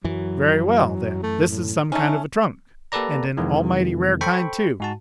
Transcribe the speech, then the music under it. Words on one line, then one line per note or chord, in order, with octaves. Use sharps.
"Very well, then; this is some kind of a trunk--and an almighty rare kind, too."
F#2 E3 F#3
A3
A2
A3 C#4 D#4
A#3 G4 A4 B4 D5 A#5
F2 C3 D#3 E3 G#3
A4 C5 G5 B5 C#6
G#2 F#4 A5